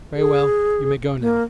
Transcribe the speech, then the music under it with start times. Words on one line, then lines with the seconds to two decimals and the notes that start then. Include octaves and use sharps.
"Very well, you may go now."
0.16 G#4
1.20 A#3